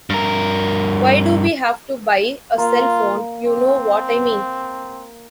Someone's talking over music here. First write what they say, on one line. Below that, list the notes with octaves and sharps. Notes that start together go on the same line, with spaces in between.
Why do we have to buy a cell phone, you know what I mean?
G2 A#4
A#3 F4
C4